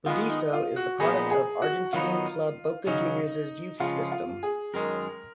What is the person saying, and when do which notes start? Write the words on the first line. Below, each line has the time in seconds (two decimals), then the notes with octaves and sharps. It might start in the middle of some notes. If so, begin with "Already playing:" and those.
Burdisso is the product of Argentine club Boca Juniors's youth system.
0.06 D#3 G#3 B3 F4
0.30 D#4
0.53 F4
0.76 F#4
1.00 A#2 F3 B3 D#4 G#4
1.31 G#4
1.62 F#4
1.93 D#3 F#3 B3 D#4 F4
2.87 C#3 F#3 C#4 D#4
3.80 C#3 F3 G#3 F4
4.12 F4
4.43 G#4
4.74 F#2 D#3 G#3 C#4 A#4